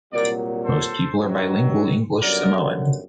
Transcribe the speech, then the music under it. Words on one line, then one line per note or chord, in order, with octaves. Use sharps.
Most people are bilingual English/Samoan.
C2 A#2 F#3 A#4 D5
A4 C5
A1 G2 D#3 F#3
G1 F#2 D3 F#3 A#4 D5